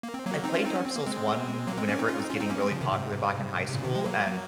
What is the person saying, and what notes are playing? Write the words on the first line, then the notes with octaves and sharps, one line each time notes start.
I played Dark Souls one, whenever it was getting really popular back in high school, and,
A#3
C4
F#3 A#3
C4 D#4
C#4 F4
C4 D#4
C#4
C4
A#3
G#3 C4
F#3 A#3
G#3 C4
A#3 C#4
C4 D#4
C#4 F4
C4 D#4
C#4 F4
C4 D#4
A#3 C#4
G#3 C4
C#3 F3
C3 D#3
G#2 C3
C3
A#2 C#3
C3 D#3
F3 G#3
F#3 A#3